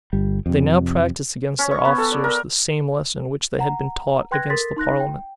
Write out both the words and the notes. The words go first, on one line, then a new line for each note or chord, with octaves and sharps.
They now practised against their officers the same lesson which they had been taught against the parliament.
G1 G3
F2 C3
C#4
C#6
B3
A4
D5
A#4
F#5 A#5
B4 G5 C6 F#6 G#6 A#6
A4 A#4 C6 A6 B6
D#4 C6 F#6 A#6
G5